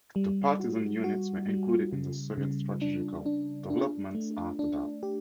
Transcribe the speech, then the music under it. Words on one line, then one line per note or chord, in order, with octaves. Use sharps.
The partisan units were included in the Soviet strategical developments after that.
G3
F#4
F#4
G3
C#3
C#3
D4
D4
D4
A3
D4
G4